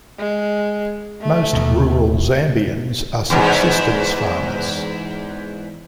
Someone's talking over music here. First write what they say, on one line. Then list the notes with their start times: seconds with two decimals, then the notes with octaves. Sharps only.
Most rural Zambians are subsistence farmers.
0.19 G#3
1.22 A3
1.53 D#2 B2
3.30 E2 G#2